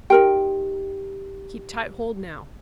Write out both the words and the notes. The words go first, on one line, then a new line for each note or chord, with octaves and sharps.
Keep tight hold now.
D#4 G4 A#4 G5